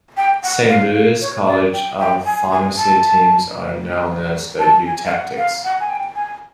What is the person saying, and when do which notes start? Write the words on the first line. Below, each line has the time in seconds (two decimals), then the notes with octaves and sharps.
Saint Louis College of Pharmacy teams are known as the Eutectics.
0.17 G5
0.43 F#5
0.69 F5
0.95 F5
1.21 C#5
1.47 D5
1.73 G5
1.99 G5
2.26 G#5
2.52 G#5
2.77 A5
4.59 A5
4.86 G#5
5.05 F5
5.11 F#5
5.38 F5
5.64 F#5
5.80 G#5
5.90 G5
6.15 G#5